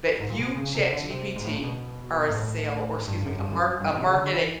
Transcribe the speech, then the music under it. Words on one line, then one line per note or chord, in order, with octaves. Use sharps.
that 'you, ChatGPT, are a sale' or excuse me, 'a mark a marketing'"
G#2
A#2
B2
C#3
C3
D3
C3
G#2
A2
A#2
B2
G#2
A2
G2
F#2
G2
F#2
G2
B2
C3
C#3
D3
E3